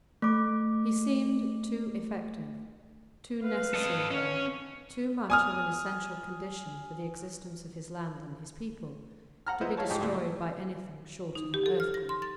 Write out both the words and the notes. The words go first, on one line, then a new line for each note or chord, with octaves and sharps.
He seemed too effective, too necessary there, too much of an essential condition for the existence of his land and his people, to be destroyed by anything short of an earthquake.
A3 D6
B4 F5
A4 D#5
C#4
G#5 D#6 F6
F#5 A#5 F6
B3 E4 C5 D#5
E4 F4 C#5 A5
G#2 G4 D#5 A5
D2 A#2 A3
D#4
G4
A4
F6
A#6
C6
A6